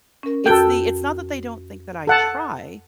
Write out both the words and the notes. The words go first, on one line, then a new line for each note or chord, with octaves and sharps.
it's the it's not that they don't think that I try,
C#4 A#4
F2 F#4 A4 G5 G#6
A4 F#5 A5